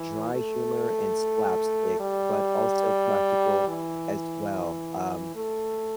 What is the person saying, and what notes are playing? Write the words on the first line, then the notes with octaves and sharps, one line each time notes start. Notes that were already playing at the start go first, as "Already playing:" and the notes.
dry humor, and slapstick, but also practical as well, um,
Already playing: E3
A3
G3
E3
A3